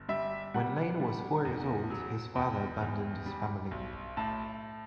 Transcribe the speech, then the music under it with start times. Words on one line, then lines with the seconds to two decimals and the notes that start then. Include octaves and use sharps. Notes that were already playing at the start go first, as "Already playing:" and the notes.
When Lane was four years old, his father abandoned his family.
Already playing: G1
0.09 G3 E5
0.54 G3 F#5
1.00 G3
1.45 E2
1.90 F#3
2.36 E2 G5
2.81 E2
3.26 G3
3.71 B1
4.17 A2 A5